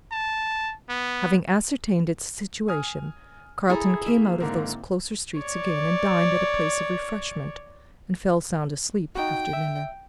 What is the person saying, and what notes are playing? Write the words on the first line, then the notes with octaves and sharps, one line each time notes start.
Having ascertained its situation, Carton came out of those closer streets again, and dined at a place of refreshment and fell sound asleep after dinner.
A5
B3
G#5 D#6 F6
E4 G#4 A4 A#5 B5
A#3 E5
G#2 D3 A#3 C4
C#5 D5
D#4 F#4 G5
E5